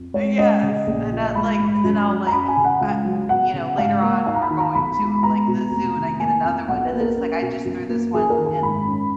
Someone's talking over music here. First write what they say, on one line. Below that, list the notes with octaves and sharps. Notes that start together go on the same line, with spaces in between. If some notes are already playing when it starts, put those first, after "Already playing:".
Eh, yes, and that, like and then I'll, like I you know, later on, we're going to, like, the zoo and I get another one, and then it's, like, I just threw this one in
Already playing: F2
G#3 C#5
C#4 D#5
C#3
A#1
F3
G#3 B5
G#2
F#2
F#3
A#5
C#4 B5
G#5
C#3
F#5
C#2 F5
F#3
B3 F#5
C#3
G#2 F5
A#3
D#4 F5
A#5
B5
D#3
A#5
B1 B5
G#3
B3 A#5
B2
F1
D#3
A#3 G#5
F2
B1 F#5
B4
A#3
A#4
C#4
B2
F#2
A#3
F#2 G#4
A#4
D#3
G#5
G#2 B5
C#4